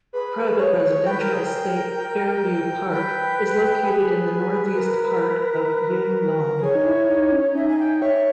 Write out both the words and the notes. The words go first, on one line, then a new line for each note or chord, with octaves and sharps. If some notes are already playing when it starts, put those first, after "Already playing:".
Private residential estate Fairview Park is located in the northeast part of Yuen Long.
G#4 B4
C#5
B4 G5
A#4
G#4
A#4
G5
B4 G5
G#4 B4
G#4
A#4
B4
G#4 C#5
D#4
E4
D#4
C#4
D#4 E5
G#5
G5
C#5 E5